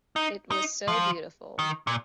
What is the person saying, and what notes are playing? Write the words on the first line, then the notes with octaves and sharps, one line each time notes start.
It was so beautiful.
D#4
D#4
F3
D#3
A#2